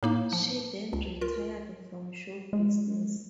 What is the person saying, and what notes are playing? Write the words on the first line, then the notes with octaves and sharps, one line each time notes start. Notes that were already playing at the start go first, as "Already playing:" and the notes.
She then retired from show business.
A2 A#3 D#4
F3
C#2
F4 A#4
G#3